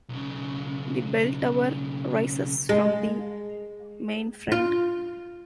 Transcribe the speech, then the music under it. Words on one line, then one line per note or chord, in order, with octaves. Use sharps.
The bell tower rises from the main front.
B1 C#3
G#3
F4